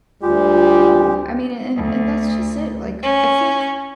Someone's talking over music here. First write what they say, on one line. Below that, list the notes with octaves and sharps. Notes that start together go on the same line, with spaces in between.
No. I mean, and and that's just it. Like, f I think
D2 G3 G#3 F4 G4
D2
C#4